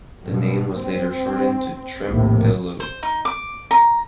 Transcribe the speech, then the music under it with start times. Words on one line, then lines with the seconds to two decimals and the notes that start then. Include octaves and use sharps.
The name was later shortened to Trempealeau.
0.24 G2 B2
0.79 C4
2.11 A#1 D#2 A2 C3
2.80 C5
3.03 D#4
3.25 D6
3.71 A#5